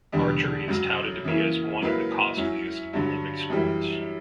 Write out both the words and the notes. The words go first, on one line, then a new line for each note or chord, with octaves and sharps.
Archery is touted to be as one of the costliest Olympic sports.
E2 D3 G3
F#2 C#3 F#3
C#3 E3 A#3 C#4 E4
C#3 F#3 A#3 E4 B4
F#3 C#4 E4
G2 D3 F#3
F#2 E3 G3